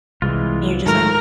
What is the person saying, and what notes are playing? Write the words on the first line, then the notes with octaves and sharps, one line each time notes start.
And you're just like,
C2 E3 G#3 F4
G#2 D#3 A3 A#4